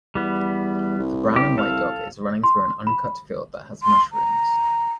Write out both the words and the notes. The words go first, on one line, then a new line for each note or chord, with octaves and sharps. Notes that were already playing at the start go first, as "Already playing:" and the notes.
A brown and white dog is running through an uncut field that has mushrooms.
E2 G3 B3
C2
G4
A4 F5
C6
B5
C6
A#5